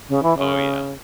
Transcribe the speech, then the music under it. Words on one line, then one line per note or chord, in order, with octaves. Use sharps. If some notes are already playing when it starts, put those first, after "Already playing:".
Oh, yeah.
C#3
E3
C#3